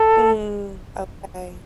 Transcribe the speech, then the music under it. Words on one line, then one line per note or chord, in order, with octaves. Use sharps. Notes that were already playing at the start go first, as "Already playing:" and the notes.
Mm, okay.
Already playing: A4